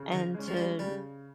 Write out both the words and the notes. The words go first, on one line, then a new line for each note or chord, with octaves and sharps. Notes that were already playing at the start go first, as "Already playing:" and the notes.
and to
Already playing: C#3
D#3
G#3 C#4
F3
G3
C#3 G3